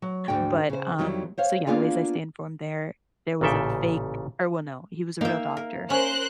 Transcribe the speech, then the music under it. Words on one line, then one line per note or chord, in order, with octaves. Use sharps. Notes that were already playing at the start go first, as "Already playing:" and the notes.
But, um so yeah, ways I stay informed there there was a fake or well, no, he was a real doctor,
F#3
D2 G#2 D4 F#4 G5
C#3 C5
F2 D#3 F#3 G3 C4 E4
C5 C#5 F5
A#3 B3 C#4 D4 F4 G#4
A1 A#2 C#3 A4 E5 G5
A#3 D#4 E5 G5
A#4
C#4 A#4 C5 F#6